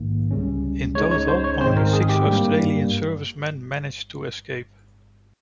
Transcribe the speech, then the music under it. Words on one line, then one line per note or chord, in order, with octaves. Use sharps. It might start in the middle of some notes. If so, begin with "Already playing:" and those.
In total, only six Australian servicemen managed to escape.
Already playing: A#1 G#2 D#3 A#3
C#2 C#3 G3 C#4
C#2 C#3 G#3 D#4 C#5
C#5
C5
C#5
G#2 D#3 G#3 C4 C5
A#4
G#4
G4
G2 G3 A#3